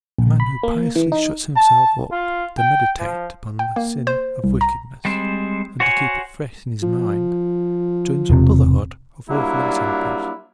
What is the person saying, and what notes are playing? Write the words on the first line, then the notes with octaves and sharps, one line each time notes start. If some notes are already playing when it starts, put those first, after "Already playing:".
A man who piously shuts himself up to meditate upon the sin of wickedness; and to keep it fresh in his mind joins a brotherhood of awful examples.
A#1
B5
A#3
E3
D#4
A5
F4
G5
F3
G5
A#3
C5
C2
A#5
G3 G#3 C4 C5
F#4 C5 C#5 F#5 G#5
F3
E1 C3
F#3 G3 A#3 D4 E4 F4